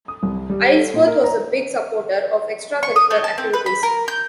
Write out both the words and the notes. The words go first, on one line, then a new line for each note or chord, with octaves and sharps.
Aylesworth was a big supporter of extracurricular activities.
D#6
C2
G3
A4
A#2
A#4
A#5
C#6
D#6
A3
A5
C4
B4
B5
A#4
G6